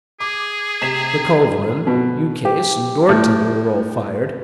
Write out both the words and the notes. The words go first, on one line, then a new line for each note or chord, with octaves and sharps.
The culverin, ukase, and door-tender were all fired.
G#4 D6
C3 B6 E7
B2
G4
A2